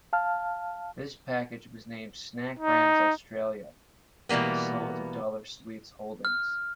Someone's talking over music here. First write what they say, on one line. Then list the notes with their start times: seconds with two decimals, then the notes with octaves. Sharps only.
This package was named 'Snack Brands Australia' and was sold to Dollar Sweets Holdings.
0.13 F5 A5 F6
2.59 D#4
4.29 B2 E3 G3 A#3 B3
6.25 F6